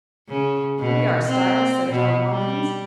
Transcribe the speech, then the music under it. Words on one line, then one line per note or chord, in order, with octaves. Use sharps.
"Here we are, Styles," said John Watkins.
C#3
B2
C4
B2
G3